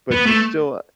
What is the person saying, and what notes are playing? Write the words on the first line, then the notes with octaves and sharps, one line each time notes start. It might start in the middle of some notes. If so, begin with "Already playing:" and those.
but you still
B3
A3